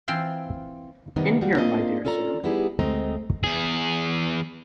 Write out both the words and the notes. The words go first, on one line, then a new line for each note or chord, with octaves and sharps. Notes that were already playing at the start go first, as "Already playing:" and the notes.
In here, my dear sir.
E3 C4 F4 C5 G5
C3 D#3 G3 B3 C#4 D#4
F3 G3 F#4
A#3 C4 D4 F4 D#5
C#4 F4 A4 D5 A#5
G3 B3 D#4 E4 G4 G#4
D2 G#3 A3 C4 D#5 A#5
E2 G#4